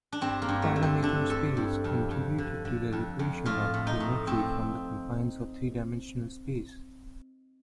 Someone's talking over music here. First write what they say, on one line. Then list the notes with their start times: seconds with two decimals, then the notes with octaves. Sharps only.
Parameter space contributed to the liberation of geometry from the confines of three-dimensional space.
0.12 D4
0.21 G2 C4
0.42 A#3
0.49 G2
0.62 A3
0.76 D3
0.82 C4
1.03 D3 D4
1.30 G2 A4
1.57 G2
1.84 F2
2.11 F2
2.38 D3
2.65 D3
2.92 F2
3.19 F2
3.46 A2 F4
3.74 A2
3.87 D#4
4.00 A2
4.27 A2 C4